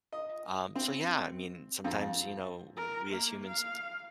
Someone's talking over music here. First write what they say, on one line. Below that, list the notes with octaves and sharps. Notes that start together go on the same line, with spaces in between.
Um, so, yeah, I mean, sometimes, you know, w we as humans
D#5
C4
F2
A#4
A#3
F5